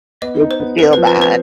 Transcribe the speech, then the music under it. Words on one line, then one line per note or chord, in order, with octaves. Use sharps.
make you feel bad
B3 D#5
D#4
C5
B3
C4 B4
F3 B4
B4
C4 B4